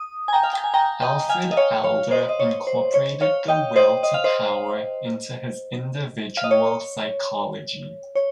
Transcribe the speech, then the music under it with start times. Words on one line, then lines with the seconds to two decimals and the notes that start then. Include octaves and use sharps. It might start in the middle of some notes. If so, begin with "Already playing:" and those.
Alfred Adler incorporated the will to power into his individual psychology.
Already playing: D#6
0.28 G#5
0.33 G5 A#5
0.43 F5
0.53 G5
0.64 G#5
0.74 G5 A#5
1.02 D#5 G5
1.29 F5 G#5
1.52 D#5
1.57 C#5 F5
1.84 C#5 F5
2.11 C5 D#5
2.29 D#5
2.40 C#5
2.67 C5
2.94 C#5
3.21 C#5 F5
3.48 D#5 G5
3.76 C5 D#5
4.03 D#5
4.14 F5
4.24 C5 D#5
6.37 F5
6.44 D#5
6.51 C#5
8.15 C#5